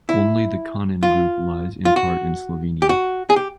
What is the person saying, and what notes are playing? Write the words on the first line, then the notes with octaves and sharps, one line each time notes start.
Only the Kanin group lies in part in Slovenia.
E4
F4
F4
F#4
G4
F#4
G#4
G4